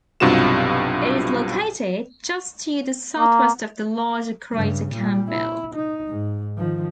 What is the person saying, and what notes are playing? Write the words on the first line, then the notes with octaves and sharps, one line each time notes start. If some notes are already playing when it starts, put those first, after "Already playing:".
It is located just to the southwest of the larger crater Campbell.
B1 G2 C3 F4 F#4 E7
A#3
G2 C#3
A#2 G3
E4
D#4
G#2
D#3 F3